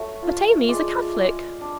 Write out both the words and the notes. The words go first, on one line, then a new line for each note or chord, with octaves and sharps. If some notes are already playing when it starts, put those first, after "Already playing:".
"But Aimee is a Catholic?"
Already playing: F#3 A3 B4 C#5
F4
G#3 D5
G#3
D4